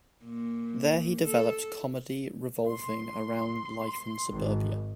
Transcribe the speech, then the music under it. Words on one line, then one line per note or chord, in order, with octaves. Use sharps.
There, he developed comedy revolving around life in suburbia.
A#2
A4
C6
G#1